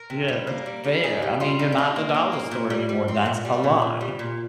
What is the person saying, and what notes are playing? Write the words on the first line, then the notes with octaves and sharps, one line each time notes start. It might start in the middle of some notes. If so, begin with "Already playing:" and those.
Yeah, that's unfair. I mean, you're not the Dollar store anymore, that's a lie.
Already playing: A#4
C3
G3
A#3
G3
G3
D#4 G#4
G3
G3 F4
D#4
G4
D#4 F4
A#3
D#4
A#3
A#2
G3
G3
C4
A#2
G3
A#2
A#2
G3
A#2